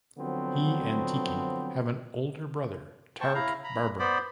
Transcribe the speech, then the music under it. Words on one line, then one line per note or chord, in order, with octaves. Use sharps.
He and Tiki have an older brother, Tarik Barber.
D3 F3 F#3 B3 C4
C5 G5 A5 C#6
E4 F5 A#5
A#5 B5
B3 C5 D5 B5